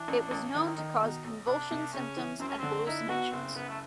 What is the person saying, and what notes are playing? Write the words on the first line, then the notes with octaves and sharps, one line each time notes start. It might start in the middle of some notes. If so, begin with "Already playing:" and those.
It was known to cause convulsion symptoms and hallucinations.
Already playing: E3 D4
A1
A1
D#3 D#4
D#3
B2
B1
C2 D4
C2
C#3 C#4
E3
F#2 C4
C#4
D3 C4
D#4 E4
B3 F#4
F#1 C4
F#1 B3
A3